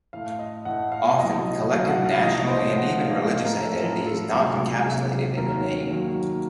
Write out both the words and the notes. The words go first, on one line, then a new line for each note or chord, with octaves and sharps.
Often, collective national and even religious identity is not encapsulated in a name.
A2 A3 F5
D#5
A2 A3 F#5
F5
C2 A#2 F#3 A3 D#5
C2 A#2 F#3 A3 F5
F#5
F5
C2 A#2 F3 A3 D#5
C5
C2 A#2 F3 A3 F#5
F5
F5
A2 F3 A3 F5
A#4
A4
A2 F3 A3 A#4
A4
C#2 C3 F#3 A#3
C#2 C3 F#3 A#3
D#2 D#3 F#3 A#3 A#4
D#2 D#3 F#3 A#3